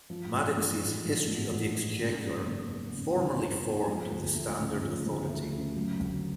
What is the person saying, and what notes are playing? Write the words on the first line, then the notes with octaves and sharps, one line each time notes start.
Madox's "History of the Exchequer" formerly formed the standard authority.
F3
A1
A1
G#2
F3
A1
A1
G#2
C#3
F#1
F#1
E2
C#3
F#1
F#1
E2
F3
D2
A3
C#3
F3
D2
A3
C#3
F#3
D2